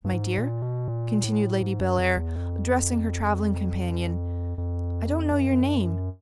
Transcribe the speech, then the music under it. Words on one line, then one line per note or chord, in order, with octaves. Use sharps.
My dear,' continued Lady Bellair, addressing her travelling companion, 'I don't know your name.
G2
G#2
A#2
B2
A#2
A2
G#2
F#2
F2
E2
F2
F2
F#2